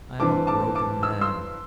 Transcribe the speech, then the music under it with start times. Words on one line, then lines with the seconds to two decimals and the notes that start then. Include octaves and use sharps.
I am a broken man.
0.20 G2 E3 C4 A5 D6
0.47 A5 D6
0.75 A5 D6
1.03 E6
1.21 C6 E6